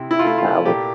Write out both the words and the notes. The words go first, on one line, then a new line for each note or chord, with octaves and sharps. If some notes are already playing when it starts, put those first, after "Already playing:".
uh, when
Already playing: C3 E4
E4
F4
A3 E4
F4
A#2 G4